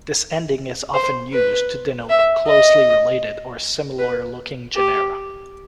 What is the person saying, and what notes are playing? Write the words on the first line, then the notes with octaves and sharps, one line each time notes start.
This ending is often used to denote closely related or similar looking genera.
C5
B4
E5
D#5
B4
G4